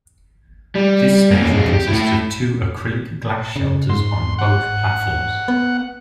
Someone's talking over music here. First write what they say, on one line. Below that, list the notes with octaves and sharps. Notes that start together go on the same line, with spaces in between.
This station consists of two acrylic glass shelters on both platforms.
G3
A#3 C#4
F2 G#3
G4
A3 E4
C#3
G#2 C6
F#5
B3